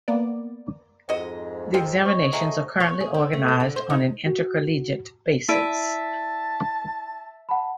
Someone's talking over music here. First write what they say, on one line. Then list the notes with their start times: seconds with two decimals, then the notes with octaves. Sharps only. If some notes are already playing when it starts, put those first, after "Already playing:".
The examinations are currently organised on an intercollegiate basis.
0.08 A#3 B3 D5
1.09 F2 G#2 F#4 D#5
1.74 F3 C4
2.06 C5 C#5 D#5 C#6
2.33 F#3 G#3 A3 D#5
2.80 C#5
3.00 G#4
3.14 C4
3.33 A3
3.48 B2
3.60 D3
3.76 C5
3.90 D#4
4.26 F#4
5.49 E4 D5 E5 A5 D7 D#7
7.49 F#5 A5 B5